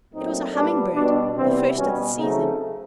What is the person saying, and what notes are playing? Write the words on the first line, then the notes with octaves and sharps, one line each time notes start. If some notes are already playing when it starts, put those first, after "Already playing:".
It was a humming-bird,--the first of the season.
A#2 F#3 A3 C4 D#4
A#2 G3 B3 D4
B2 G3 B3 D4
C3 E3 G3 B3 C4
B2 G3 B3 C#4
C#3 F#3 A3 C4 D#4